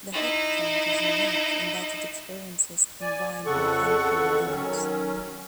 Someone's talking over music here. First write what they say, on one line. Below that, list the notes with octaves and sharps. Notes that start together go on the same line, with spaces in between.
The hip joint is unique in that it experiences combined mechanical loads.
D#4 E4
D5 G#5
F2 C#3 A4 F#5 C#6
D#3 F#3 C#4